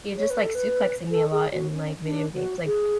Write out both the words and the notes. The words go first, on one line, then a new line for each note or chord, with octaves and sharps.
he's just, like, suplexing me a lot in, like, video games, like
C#5
B4
A4
B4
A4
G#4
F#4
C#4
D4
F#4
G#4